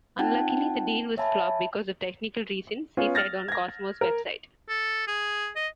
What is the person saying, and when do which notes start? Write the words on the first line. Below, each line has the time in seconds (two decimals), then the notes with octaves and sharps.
Unluckily the deal was flop because of technical reasons, he said on Cosmos website.
0.18 C4 D#4 F4 F#5 G5 A5
1.17 C#5 E5 F5 G#5 A5 B5
2.97 B3 C#4 F4
3.15 F6 A6 A#6
3.48 G#6 A#6
4.01 A#4
4.69 A4
5.07 G#4
5.55 D#5